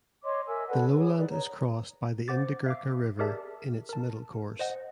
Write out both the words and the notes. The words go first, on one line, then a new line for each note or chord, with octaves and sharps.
The lowland is crossed by the Indigirka River in its middle course.
C#5 D#5 C6 D6
A#4 E5 G#5 E6
A4 B4 D5 F#5
G#4 C#5
D#4 B4 D5
C#5 A#5
C5 F#5 D6 A6
E5 F5 D6
G4 G#4 A#4 D5 E5 A5
A#4 A5
C5 D#5 F#5